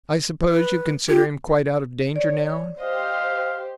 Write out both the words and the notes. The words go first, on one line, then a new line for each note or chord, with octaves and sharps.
"I suppose you consider him quite out of danger now?"
B4
F4 G4
C#5 D5
G4 C5 D#5 F5